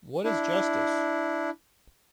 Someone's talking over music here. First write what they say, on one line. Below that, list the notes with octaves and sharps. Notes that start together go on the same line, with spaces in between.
What is justice?
D4 E4